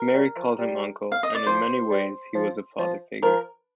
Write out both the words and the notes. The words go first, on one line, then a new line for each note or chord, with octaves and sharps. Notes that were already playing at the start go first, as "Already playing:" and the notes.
Marie called him 'Uncle', and in many ways he was a father figure.
Already playing: A#4
G3
F3
G3
F5
D#5
D5
F3 C5
G3
F3
F3
F3 A#4